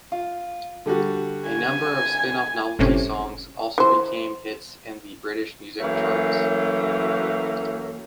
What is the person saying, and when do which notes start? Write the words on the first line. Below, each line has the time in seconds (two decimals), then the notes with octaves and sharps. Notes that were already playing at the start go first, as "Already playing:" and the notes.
A number of spin-off novelty songs also became hits in the British music charts.
0.12 F4
0.86 D3 G3 F#4
1.49 G#5
2.79 G1 A2 C3 C#4
3.78 E3 C5
5.80 F#2 E3 F#3 A3 A#3